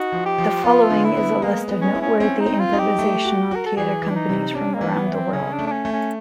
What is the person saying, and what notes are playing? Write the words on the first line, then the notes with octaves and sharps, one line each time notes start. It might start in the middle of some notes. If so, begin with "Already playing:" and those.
The following is a list of noteworthy improvisational theatre companies from around the world.
Already playing: D#4 F#4
F3
G4
F3
B3 F4
D3
E4
B3
G#3 A#3
B3
C#4
E4
C#4
C4 C#4
D#4
C4
F4
D#4
G4
A3
F#4
F#4 A#4
A4
E3 G#4
E3
D4
D#4
C3
C#4 D4
A#3
E3
B3
E4
C4
C#3 C#4
D4
A3
D4
C#4
A3
C#4